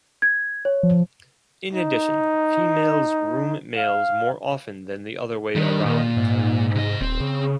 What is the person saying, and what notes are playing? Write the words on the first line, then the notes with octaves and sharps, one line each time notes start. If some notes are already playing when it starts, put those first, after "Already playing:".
In addition, females groom males more often than the other way around.
G#6
C#5
F3
D#4
F5
D#3 G3 D4
A#2
G#2
C3 D#5
D#1 C4
C#3